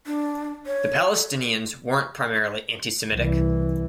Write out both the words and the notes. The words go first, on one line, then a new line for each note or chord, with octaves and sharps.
The Palestinians weren't primarily anti-Semitic.
D4
C#5
A4
C2 E3